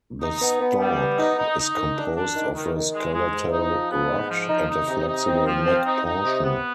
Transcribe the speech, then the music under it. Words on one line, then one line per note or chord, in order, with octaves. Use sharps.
The stalk is composed of a skeletal rod and a flexible neck portion.
D#4
B3
B3
G3
B3
D#4
D#4
D#4
D#3
D4
D4
D#3
D#3
D#3
G#3
G#3
G#2
D#4
F3
B3
G#2
F3
D#4
D#4
C3
D#4
C4
F3
C4
D#4
D#4
C3
B3